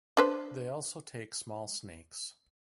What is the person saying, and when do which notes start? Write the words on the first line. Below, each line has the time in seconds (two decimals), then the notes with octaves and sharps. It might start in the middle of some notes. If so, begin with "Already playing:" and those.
They also take small snakes.
0.17 D4 B4 C5